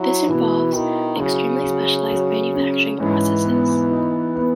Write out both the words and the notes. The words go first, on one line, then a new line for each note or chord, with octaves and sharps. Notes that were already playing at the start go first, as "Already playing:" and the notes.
This involves extremely specialized manufacturing processes.
Already playing: F#3 E4
B2 E3
D#3 E4
C#3 F#3
F#3
F#3
C#4
G#2 E3
B3
D#4
B3